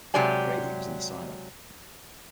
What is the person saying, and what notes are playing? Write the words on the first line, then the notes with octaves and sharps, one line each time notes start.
Grady was in the silo.
C3 F#3 G#3 G4 D5 G#5